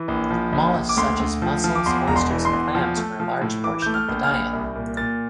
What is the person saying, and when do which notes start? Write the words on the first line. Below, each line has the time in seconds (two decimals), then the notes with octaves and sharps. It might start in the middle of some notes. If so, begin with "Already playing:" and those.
Mollusks such as mussels, oysters, and clams were a large portion of the diet.
Already playing: E3
0.08 A#1
0.31 F3
0.52 A#1
0.75 A#1
0.89 D6
0.97 D2 C6
1.20 D2
1.42 F3
1.64 F3
1.75 D6
1.86 E2 C6
2.07 E1 A#5
2.16 C6
2.31 E3
2.45 C6
2.53 E2
2.75 F3
2.97 A3
3.20 F3
3.42 A2
3.64 E3 D6
3.82 A3 G6
3.94 F6
4.08 A#1
4.23 F6
4.31 A#1
4.53 C2
4.75 A#2
4.97 A#2 A6